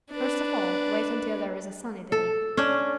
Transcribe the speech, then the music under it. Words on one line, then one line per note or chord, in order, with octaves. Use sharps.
First of all wait until there is a sunny day.
D4 B4
A4
C#4 D4